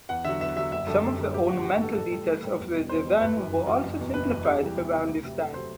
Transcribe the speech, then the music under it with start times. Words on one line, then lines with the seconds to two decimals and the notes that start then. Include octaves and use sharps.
Some of the ornamental details of the design were also simplified around this time.
0.09 E2 F#5
0.25 D3 F#3 E5
0.41 E2 E5
0.56 D3 F#3 E5
0.72 F#1 E5
0.87 F#2 D3 G3 A4
1.03 F#1
1.18 F#2 D3 G3
1.34 A1 G4
1.49 G2 D3 F#4
1.65 A1 F#4
1.81 G2 D3 A4
1.96 A1 A4
2.11 A2 G3 A4
2.27 A1 B4
2.42 A2 G3
2.59 E2
2.74 B2 G3
2.89 E2 C5
3.05 B2 G3
3.20 G1 B4
3.37 F#2 E3
3.52 G1
3.67 F#2 E3
3.83 F#1
3.99 E2 B2
4.14 F#1 B4
4.29 E2 B2
4.45 E2 G4
4.61 C3 E3 G3
4.76 E2
4.92 C3 E3 G3
5.08 D2
5.23 C3 F#3
5.38 D2 A4
5.54 C3 F#3 C5